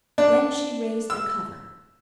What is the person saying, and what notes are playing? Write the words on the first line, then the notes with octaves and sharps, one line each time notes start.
Then she raised the cover.
D4
E6